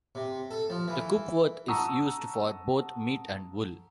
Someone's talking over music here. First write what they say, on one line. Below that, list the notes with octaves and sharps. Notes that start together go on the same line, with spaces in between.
The Coopworth is used for both meat and wool.
C3
A4
F3
E3
F#5 A5 A#5 C#6 D#6 E6